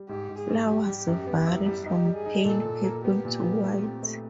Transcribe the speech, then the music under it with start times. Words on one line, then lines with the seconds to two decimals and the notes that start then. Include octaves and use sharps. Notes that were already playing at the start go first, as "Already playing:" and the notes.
Flowers vary from pale purple to white.
Already playing: G3
0.09 G#2 G4
0.29 G#2
0.38 G#4
0.49 G#2
0.67 G3 G4
0.87 G3
1.07 F#2
1.27 B3
1.47 E4
1.66 G3
1.86 D#4 G4
2.05 G3
2.16 G#4
2.26 D#4
2.45 A#2 A4
2.65 A#2
2.84 A#3
3.04 B3 G4
3.24 A#2
3.43 B3
3.63 A3
3.83 C4
4.03 A3